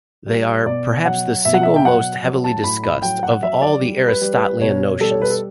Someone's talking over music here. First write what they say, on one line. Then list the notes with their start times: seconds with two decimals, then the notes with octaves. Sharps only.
They are "perhaps the single most heavily discussed of all Aristotelian notions".
0.26 G3
0.66 B2 D5
1.05 F#3 F#5
1.45 B2 E5
1.54 F#5
1.63 E5
1.76 G5
1.84 F#3 F#5
2.24 F#3
2.44 A5
2.63 A2 B5
2.83 B5
3.02 F#3 G5
3.23 F#5
3.42 F#3 E5
3.62 D5
3.82 G3
4.08 B4
4.21 G3
4.35 B4
4.60 B2 C#5
5.00 G3 A4
5.11 C#5
5.22 B4
5.30 A4